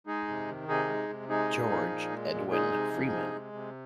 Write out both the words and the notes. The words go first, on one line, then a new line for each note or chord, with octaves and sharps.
George Edwin Freeman.
G#3 D#4 G#4
C3
D#3
C3 D#4 G#4
G#3
C3
G#3 D#4 G#4
A#2
F3
A#2
G#3
A#2
G#3 D#4 G#4
C3
F3
C3
G#3
C3